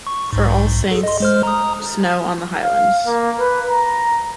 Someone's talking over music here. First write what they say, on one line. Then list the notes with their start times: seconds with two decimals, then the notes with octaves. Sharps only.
For All Saints, snow on the highlands.
0.07 C#6
0.33 B1 G#2
0.91 G#4 A4
1.03 D#5 C6
1.20 G#3 C5 F6
1.43 A#5 D#6
2.64 F5
3.06 A#3
3.39 B4
3.70 A#5